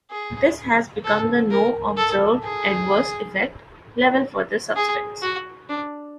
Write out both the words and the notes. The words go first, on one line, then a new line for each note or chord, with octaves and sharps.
This has become the no-observed-adverse-effect level for this substance.
G#4
A4
A#4
A4
G#4
G#4
F#4
D4